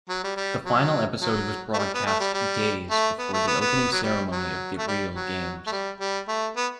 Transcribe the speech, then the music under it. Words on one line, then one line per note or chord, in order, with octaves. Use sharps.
The final episode was broadcast days before the opening ceremony of the real Games.
F#3
G3
G3
F#3
F#3
A3
G3
B3
A3
G3
G3
A3
B3
A3
B3
B3
F#3
G3
F#3
A3
G3
F#3
A3
G3
G3
A3
B3